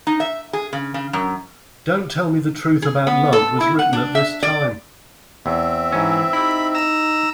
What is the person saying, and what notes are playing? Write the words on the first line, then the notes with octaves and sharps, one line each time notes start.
"Don't Tell Me the Truth About Love" was written at this time.
D#4
E5
G#4
C#3
C#3
F#2
G#4
B3
A4
E4
F#5
D4
E5
D5
E2 C4 E5
G#2 E3 C#4
D#4 E4 G4 B5
A#5 E6